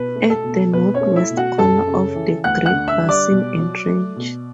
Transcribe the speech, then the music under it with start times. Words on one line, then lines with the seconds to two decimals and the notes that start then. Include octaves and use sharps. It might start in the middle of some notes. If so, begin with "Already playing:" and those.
At the northwest corner of the Great Basin and Range.
Already playing: B2 B4
0.16 A3
0.30 A4
0.44 B2
0.72 B2 B4
0.94 C#4 C#5
1.01 A3
1.16 E4 E5
1.30 B2
1.37 F#4 F#5
1.58 F#2 A4 A5
1.87 C#3
2.15 E3
2.44 D2 F#5 F#6
2.65 F#5 F#6
2.73 D3
2.88 E5 E6
3.01 G3
3.09 D5 D6
3.31 B2
3.59 F#3
3.87 A3
4.16 B2